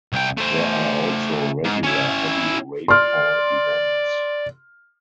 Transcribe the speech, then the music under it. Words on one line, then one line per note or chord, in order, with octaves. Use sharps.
There are also regular heavy rainfall events.
C2 G5
A3 C5
G#2
C#4 E4
D5 C6 F6